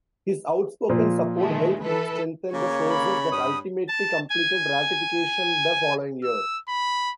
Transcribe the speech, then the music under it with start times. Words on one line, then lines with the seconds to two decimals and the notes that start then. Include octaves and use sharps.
His outspoken support helped strengthen the forces that ultimately completed ratification the following year.
0.89 A#2 F3
1.38 D#3 G#3 A3
1.83 E3 A4 B4
2.53 C#3 A#3 C#5
2.90 B5
3.32 G2 D#6
3.88 A5
4.29 G#5
6.23 E6
6.68 B5